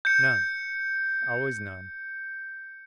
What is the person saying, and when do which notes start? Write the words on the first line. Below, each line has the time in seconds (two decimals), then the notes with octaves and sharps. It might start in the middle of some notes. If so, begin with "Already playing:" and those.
None--always "none."
0.05 G6 C#7